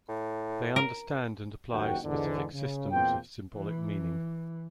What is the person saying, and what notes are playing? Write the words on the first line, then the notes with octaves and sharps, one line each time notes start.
They understand and apply specific systems of symbolic meaning.
A2
A#4
F#1 D#2 D#4 F#4 F#5 G5
E2 G#2 D3
C#3
E2 A#2 A#3 C4 C5 G5
E3